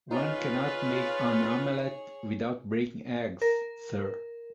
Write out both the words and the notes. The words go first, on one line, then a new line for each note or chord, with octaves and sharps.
One cannot make an omelette without breaking eggs, sir.
D#4 F4 G#4 B4 C#5
A#4